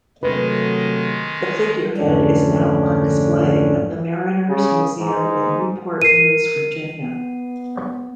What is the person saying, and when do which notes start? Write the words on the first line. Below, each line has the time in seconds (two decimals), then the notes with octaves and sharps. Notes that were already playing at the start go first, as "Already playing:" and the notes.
The figurehead is now on display at The Mariners' Museum in Newport News, Virginia.
0.23 C3 D#3 F#3 G#3 A3 B4
1.97 F2 G#2 D3 A3 C#4 D4
4.48 C#3
4.99 G#2
6.02 A#4 C7 D#7
7.01 B3